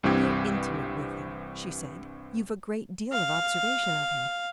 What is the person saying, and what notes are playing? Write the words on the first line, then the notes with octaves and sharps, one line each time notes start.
"You're intimate with him," she said; "you've a great deal of observation of him."
C2 G2 E3 C4 G4 G#6
F5